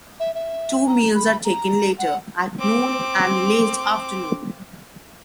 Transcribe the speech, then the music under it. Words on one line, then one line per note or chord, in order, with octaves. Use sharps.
Two meals are taken later; at noon and late afternoon.
E5
E5
A#5
B5
A#5
F#5
C4 D6